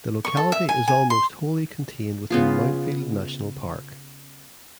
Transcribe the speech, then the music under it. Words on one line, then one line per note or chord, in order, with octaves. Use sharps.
The locality is almost wholly contained within Mount Field National Park.
C#6
A4
E5
G#5
G#5
C6
C#3 B3 F4